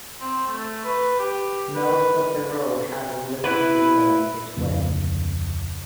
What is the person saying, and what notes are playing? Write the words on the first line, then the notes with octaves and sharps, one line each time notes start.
Most of the road has at least to lanes each way.
C4
A3
B4
G4
B4
E4 B4
D1 F2 C#3 A#3